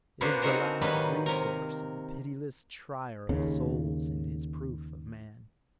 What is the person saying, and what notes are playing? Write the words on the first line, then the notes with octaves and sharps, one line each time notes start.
It is the last resource of the pitiless trier of souls in his proof of man.
A#3 B3 C#4 D4 F#4 C5
C4 C#4 D#4 F#4 A#4 C5
A2 D#3 F#3 G3 A#3 B4
C3 A#4
D#2 C#3